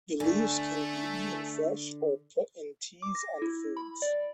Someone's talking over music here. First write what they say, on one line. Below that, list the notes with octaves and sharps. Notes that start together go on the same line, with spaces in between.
The leaves can be eaten fresh or put in teas and foods.
D3 A3 G#5
D6
A#6
E4
B5
D5